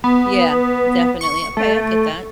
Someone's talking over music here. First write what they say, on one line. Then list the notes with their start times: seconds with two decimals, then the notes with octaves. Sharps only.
Yeah, definitely, okay, I get that.
0.04 B3
1.21 C#6
1.57 A3